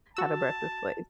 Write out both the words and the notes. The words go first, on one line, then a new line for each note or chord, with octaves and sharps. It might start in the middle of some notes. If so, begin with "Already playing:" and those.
at a breakfast place,
F#4 A5 E6